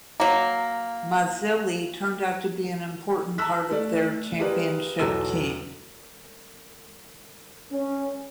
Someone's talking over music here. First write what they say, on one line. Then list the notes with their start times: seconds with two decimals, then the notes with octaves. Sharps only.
Mazzilli turned out to be an important part of their championship team.
0.20 F#3 A#3
3.38 A5 A#5 E6 F#6 B6
3.71 A3 A4 D5
4.39 F4 G4 G#4 A#4 B4 D5
5.00 B1 E2 F#3 A4 A#5 E6
7.73 C#4